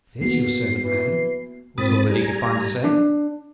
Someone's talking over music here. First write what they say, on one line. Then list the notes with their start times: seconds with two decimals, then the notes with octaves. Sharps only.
"It is your servant, madame," was all that he could find to say.
0.21 A#3 B3 F#4 C7
0.84 E3
1.78 G#2 C4 B5 D#6 A6
2.10 G3 G#5 A#5
2.84 D4